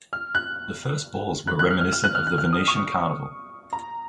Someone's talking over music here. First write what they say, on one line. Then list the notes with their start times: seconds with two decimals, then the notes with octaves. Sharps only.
The first balls were reminiscent of the Venetian carnival.
0.13 F6
0.35 F#6
1.47 F#6
1.59 F#6
1.70 F6
1.81 F6
1.93 F6
2.04 F#6
2.15 F6
2.27 F#6
2.38 F6
2.53 D#6
2.68 C#6
3.73 A#5